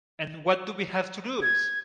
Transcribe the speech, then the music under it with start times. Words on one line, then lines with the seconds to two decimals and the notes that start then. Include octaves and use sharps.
And what do we have to lose?
1.42 G#6